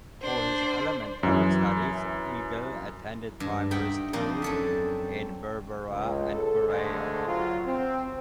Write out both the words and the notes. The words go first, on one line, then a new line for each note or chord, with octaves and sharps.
For his elementary studies, Egal attended primary school in Berbera and Burao.
D4 C5
F#2 E3
G2
D#4 E5 F#5 G5
F3 C4 D4 D#4
F#2 A4 E5
C#2
A4
D#2 G#2 D3 G#3 A3 C5
F#3 F4 F#4
C4